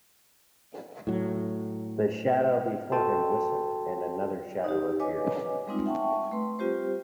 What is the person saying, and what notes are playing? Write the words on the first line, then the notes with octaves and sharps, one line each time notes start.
The shadow before him whistled and another shadow appeared.
A2 F#3
F#4 A4 G5 A5 C6
D#4 G4
B4 C#5 D#5 F5 G#5 D6
G3 G#3 C4 D#4 F4
E5 F#5 G5 A5 C#6
A3 B4 C6
G3 C4 F4 G4 C5